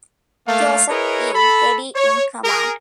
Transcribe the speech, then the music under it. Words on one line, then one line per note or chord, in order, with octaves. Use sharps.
Joseph E. Reedy in command.
A3 A#3 F5
E4 G#4 A#4 B4 C#5 D#5
A4 B5
C#5
G#4 A#4